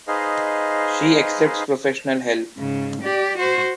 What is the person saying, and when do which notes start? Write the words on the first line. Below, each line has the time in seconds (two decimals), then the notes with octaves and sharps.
She accepts professional help.
0.08 D#4 G#4 B4 C5 D#5 F5
2.57 G#2 C#3
3.02 G4 D5
3.38 F#4 C5